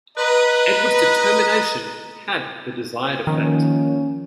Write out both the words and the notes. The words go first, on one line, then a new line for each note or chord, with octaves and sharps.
Edward's determination had the desired effect.
B4 D#5 A#5
D#3 F3 A#3 C#4